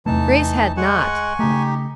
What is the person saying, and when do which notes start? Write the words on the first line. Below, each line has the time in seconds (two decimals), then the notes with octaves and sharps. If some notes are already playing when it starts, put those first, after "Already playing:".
Grace had not.
0.06 E2 C3 E3 A3 D#4 A5
0.77 G#3 F#5 G#5 C#6
1.39 C#3 A3 D#4 G4